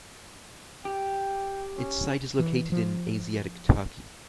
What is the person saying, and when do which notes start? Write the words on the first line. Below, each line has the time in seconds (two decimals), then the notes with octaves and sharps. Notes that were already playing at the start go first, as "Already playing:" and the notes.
Its site is located in Asiatic Turkey.
0.85 G4 G5
1.77 C#4
2.39 E3
2.72 F3